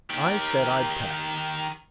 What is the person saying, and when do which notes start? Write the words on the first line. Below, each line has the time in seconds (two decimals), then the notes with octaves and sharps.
I said I'd pack.
0.10 D#3 G4